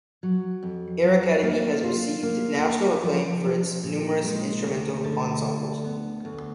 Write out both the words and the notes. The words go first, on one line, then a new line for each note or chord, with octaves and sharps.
Air Academy has received national acclaim for its numerous instrumental ensembles.
F#3
F2
F#3
A#3
F4
A#3
G#4
F3
F3
A#2
G#3
D2
D3
D2
B3
D2